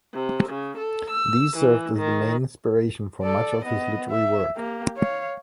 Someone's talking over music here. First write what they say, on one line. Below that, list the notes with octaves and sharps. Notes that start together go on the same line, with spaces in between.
These served as the main inspiration for much of his literary work.
C3
C#3
A4
E6
E3
D#3
A4 D5
B3 D#5
E5
A#3 G4
C#5 F5